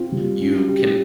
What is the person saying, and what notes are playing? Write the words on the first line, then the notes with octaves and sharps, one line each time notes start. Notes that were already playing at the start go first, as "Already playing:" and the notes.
you can
Already playing: C4 F4
G3
C#4
G4